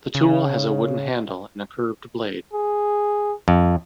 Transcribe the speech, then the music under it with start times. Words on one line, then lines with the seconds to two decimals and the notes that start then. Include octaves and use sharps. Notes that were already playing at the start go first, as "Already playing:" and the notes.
The tool has a wooden handle and a curved blade.
0.15 C#3
2.53 G#4
3.48 F2